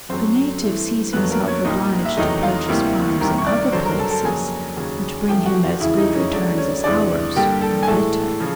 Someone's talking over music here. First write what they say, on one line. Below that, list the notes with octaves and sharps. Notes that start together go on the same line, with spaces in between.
The native sees himself obliged to purchase farms in other places, which bring him as good returns as ours, or better.
F#2 D3 F#3 A3 C4 C5
G2 E3 A3
F2 D3 F#3 A3 B3 B4
A#3 A#4
C#4 C#5
C2 A#2 G3 A#3 D#4 D#5
E5
E2 C3 D#3 F#3 A3 D#4 D#5
F4 F5
D2 C3 E3 G3 A#3
C2 C3 D#3 A#4 A#5
C#6
D5 D6
G2 D3 F#3 C5 C6
A#4 A#5
A4 A5
A4 A5
F2 C#3 F#3 A#3 G#4 G#5
D#2 C#3 F#3
E2 C3 F3 A3 G4 G5
F#4 F#5
F4 F5
E2 C#3 E3 G#3 E4 E5
D#4 D#5
C#4 C#5
C#2 C#3 F#3 A3 D4 D5
C#4 C#5
E2 C3 E3 G#3 D4 D5
G2 D3 G3 A#3 G4 G5
A4 A5
G#5
A2 E3 G#3 A4 A5
C#3 F3